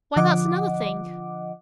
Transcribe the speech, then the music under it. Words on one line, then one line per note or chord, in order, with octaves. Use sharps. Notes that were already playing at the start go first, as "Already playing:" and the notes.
'Why, that's another thing.
D3 F3 D#5 F#5 D6